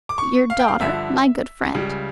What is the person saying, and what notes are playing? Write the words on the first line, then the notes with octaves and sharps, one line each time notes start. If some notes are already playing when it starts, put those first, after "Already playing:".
"Your daughter, my good friend?"
D6
C#6
F5
G5
F5
G2 D3 F3 E5
C#2 C#3 G3